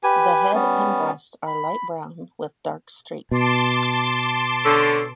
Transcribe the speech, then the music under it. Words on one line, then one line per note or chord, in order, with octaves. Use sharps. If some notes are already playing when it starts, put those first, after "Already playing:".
The head and breast are light brown with dark streaks.
G4 B4 G#5
G3 B3 C#4
B5
B2 A5 C6 D6
D3 C#4 A4